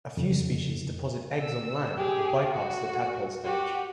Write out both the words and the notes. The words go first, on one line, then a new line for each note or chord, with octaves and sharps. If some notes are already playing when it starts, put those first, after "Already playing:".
A few species deposit eggs on land or bypass the tadpole stage.
F2 C#3
E6
G4 G#4
F#4
F#4 G4